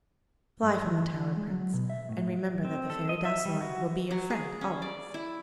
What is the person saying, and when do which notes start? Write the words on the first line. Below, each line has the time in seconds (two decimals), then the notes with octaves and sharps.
Fly from the tower, Prince, and remember that the Fairy Douceline will be your friend always.'
0.63 G2
0.86 E3
1.14 E3
1.37 G#3
1.50 F#3
1.73 B2
1.90 E5
2.09 A2
2.65 C4
2.90 A4
3.09 D#5
3.25 E5
3.45 G3
3.61 F#4
4.11 F#3
4.30 G#4
4.61 C#4
4.82 D5
5.14 E4